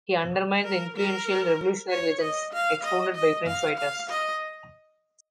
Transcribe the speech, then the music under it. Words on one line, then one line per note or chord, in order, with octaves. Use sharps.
He undermined the influential revolutionary legends, expounded by French writers.
A#4
A#4
C#5
D#5
F5
D#5
D#5
F5
F5
D#5